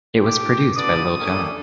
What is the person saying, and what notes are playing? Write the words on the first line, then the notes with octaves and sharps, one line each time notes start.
It was produced by Lil Jon.
G4 A4 D6
B3 A4 B4 D5 D#6
A#3 C#4 D4 G4 A4